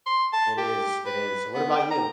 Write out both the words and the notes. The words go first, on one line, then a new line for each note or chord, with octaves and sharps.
It is, it is. What about you?
C6
A5
G4
B4
B3
G5
A#5